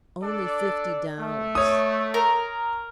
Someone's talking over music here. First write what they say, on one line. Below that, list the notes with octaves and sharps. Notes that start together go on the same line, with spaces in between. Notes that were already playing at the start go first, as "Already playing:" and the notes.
"Only fifty dollars."
D4 A4 D5
A3
C#5 D#6
A#4